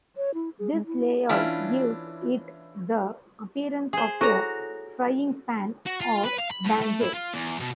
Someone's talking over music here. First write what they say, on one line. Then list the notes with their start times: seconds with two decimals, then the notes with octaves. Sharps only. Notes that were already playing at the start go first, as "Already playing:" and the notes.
This layout gives it the appearance of a frying pan or banjo.
0.17 C#5
0.34 E4
0.59 G#4
0.73 G#3
0.87 E4
1.29 E3 C#4 D4 E4 F4
3.93 G#4 C5
4.21 E4 F#4 A4 C#5 A#5
5.86 F#4
6.01 F4
6.24 B4
6.38 F5
6.51 B5
6.65 A2
6.81 A3
7.00 E4
7.13 F4
7.33 E2
7.60 B2